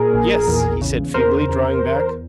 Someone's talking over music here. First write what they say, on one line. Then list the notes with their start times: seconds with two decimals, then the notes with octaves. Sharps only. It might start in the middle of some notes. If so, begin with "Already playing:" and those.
"Yes," he said, feebly, drawing back.
Already playing: A#2 G#4 A#4
0.14 A#1
0.47 E2
0.81 C#3
1.14 E2 A#4 C5
1.49 E2